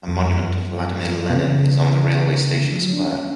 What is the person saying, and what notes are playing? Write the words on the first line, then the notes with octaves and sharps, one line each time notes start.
A monument to Vladimir Lenin is on the Railway Station Square.
F2
F#2
B2
C#3
D3
F3
F#3
D4
C#4